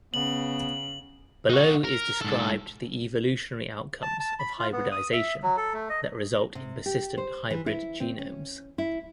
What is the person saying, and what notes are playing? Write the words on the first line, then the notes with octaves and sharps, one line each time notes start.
Below is described the evolutionary outcomes of hybridisation that result in persistent hybrid genomes.
C#3 B3 F#7
D#4 F#4
A#4
G#2 A4
A5
A5
B5
F4
B3
D#6
E5
F#3
A4
A3
D#5
C3
G4
C5
E3
E4
C4
C#4
E4